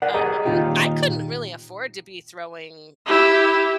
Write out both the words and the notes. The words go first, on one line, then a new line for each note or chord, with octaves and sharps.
um, I couldn't really afford to be throwing
A#4 D5 F#5
G4 G#4 A#4 D#5 A#5
A#2 D#3 E3 D#4 F4 G4
E4 G4